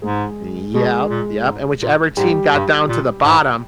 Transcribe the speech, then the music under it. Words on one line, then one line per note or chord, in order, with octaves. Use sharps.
Yep. Yep, and whichever team got down to the bottom
G#2 G#3 G#4
B2 G#3 G#4
A#2
G#2
A#2
G#2 G3 G4
G2
A#2
G#2